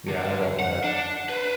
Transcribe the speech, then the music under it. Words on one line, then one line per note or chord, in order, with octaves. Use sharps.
Yeah, I love that.
D3
F#5
D4
B4 C5